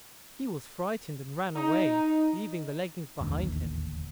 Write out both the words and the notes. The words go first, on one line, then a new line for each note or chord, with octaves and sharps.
He was frightened and ran away, leaving the leggings behind him.
D#4
E1 A1 D#2 D3